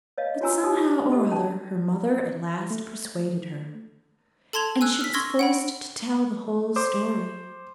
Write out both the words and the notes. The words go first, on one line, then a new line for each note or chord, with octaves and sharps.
But somehow or other her mother at last persuaded her, and she was forced to tell the whole story.
C#5 D#5 F5
F4 F#4 C#5 G#5 A#5 E6
D#4 G4 D#6
G4 A4 D#5
C#4 D4 A5
A3
A4 A5 C6 G#6 F7
G#5 E6 F#6
F6 B6
C6 C#6 E6 F6 G#6 A#6
F#5 G5 B5
C5 D6